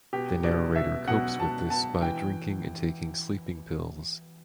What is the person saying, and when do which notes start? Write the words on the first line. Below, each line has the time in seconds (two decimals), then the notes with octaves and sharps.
The narrator copes with this by drinking and taking sleeping pills.
0.13 B2 G4
0.44 B2 D5
0.76 B2 E5
1.08 B2 F#5
1.39 B2 A5
1.70 B2 A5
2.02 E3 G5